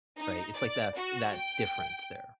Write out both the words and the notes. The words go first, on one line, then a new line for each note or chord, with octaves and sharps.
right? It's like that that difference there.
D#4
D5
F#4
G5